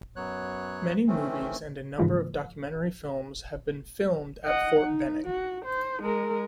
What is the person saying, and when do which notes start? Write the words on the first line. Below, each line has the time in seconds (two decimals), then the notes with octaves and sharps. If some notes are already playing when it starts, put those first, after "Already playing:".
Many movies and a number of documentary films have been filmed at Fort Benning.
0.16 F#2 F#3 B3 C#5 F#6
1.07 D#3 E3 A3 C4 C#4
1.98 G#2 C#3 E3 F3 G#3 A#3
4.46 D#5 F#5
4.81 D#4
5.26 F#4
5.65 C5
6.02 G#3 A#4